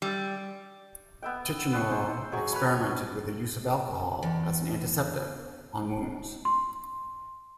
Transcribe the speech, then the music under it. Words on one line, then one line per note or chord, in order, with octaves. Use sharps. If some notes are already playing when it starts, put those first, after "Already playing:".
Tichenor experimented with the use of alcohol as an antiseptic on wounds.
G3
B3 E5 G5
B3 C#6
C5
F#3 G#4 G5 C#6
B4 C#5 B5
E2
C6